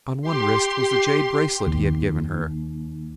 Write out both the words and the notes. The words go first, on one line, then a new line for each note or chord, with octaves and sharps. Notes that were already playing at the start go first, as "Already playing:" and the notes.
On one wrist was the jade bracelet he had given her.
G4 C6
D#2